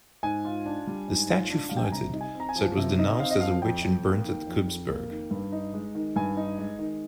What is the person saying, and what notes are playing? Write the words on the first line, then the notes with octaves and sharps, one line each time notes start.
The statue floated, so it was denounced as a witch and burnt at Kubsberg.
G#2 G#5
F4
D4
G3
G#2
F4
D4
G3 F5
G5
G#5
C3 A#5
D#4
G#5
C4
A#5
G#5
F3
C3
D#4
C4 F5
D#5
F3 F5
F2 G5
F2
A#3
D#3
F2
F2
A#3
D#3
G2
D#4
G#3
D#3
G2 G#5
D#4
G#3
D#3